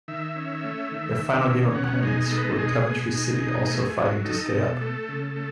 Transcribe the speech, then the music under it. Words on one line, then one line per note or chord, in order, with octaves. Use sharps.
Their final game opponents were Coventry City also fighting to stay up.
D#3 E5
C#4
A3
D#3
D#3
C#4
B2 F#5
D#4 G#4
G#3 A4
B4
A4
B2 G#4
B2
D#4
B2
A3
F#3
D#4 A4
B2
A3
C#3
A3